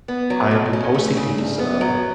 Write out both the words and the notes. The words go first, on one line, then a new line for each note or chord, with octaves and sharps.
I've been posting these, uh,
B3
F#3
B2
C#4
A3
C#3
D2
B3
F#3